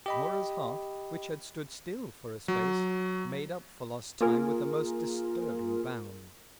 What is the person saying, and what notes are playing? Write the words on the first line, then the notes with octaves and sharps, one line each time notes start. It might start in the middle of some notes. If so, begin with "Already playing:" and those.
Norah's heart, which had stood still for a space, made up for lost time with a most disturbing bound.
G4 D#5 B5
F#3
A#3 F4 G#4 A#4